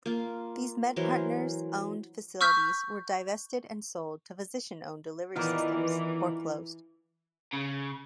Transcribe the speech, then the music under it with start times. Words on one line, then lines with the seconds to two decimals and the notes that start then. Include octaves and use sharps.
These MedPartners-owned facilities were divested and sold to physician-owned delivery systems or closed.
0.06 A#3 F4
0.96 E3 F#3 A#4 C5
2.41 C#6 E6 F6 G6 B6
5.36 D#3 E3 B3 F4 A#4 D5 D#5
7.53 C#3